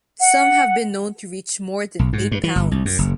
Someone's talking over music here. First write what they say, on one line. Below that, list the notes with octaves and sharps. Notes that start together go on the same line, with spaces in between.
Some have been known to reach more than eight pounds.
F#5
B1
G#2
G2
E3
G1
C2
F#2
F#1